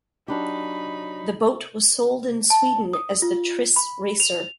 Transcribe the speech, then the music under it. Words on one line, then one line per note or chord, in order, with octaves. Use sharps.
The boat was sold in Sweden as the Triss Racer.
F#3 D4 D#4 G4 B5
A5
D#6
F4
B5
F7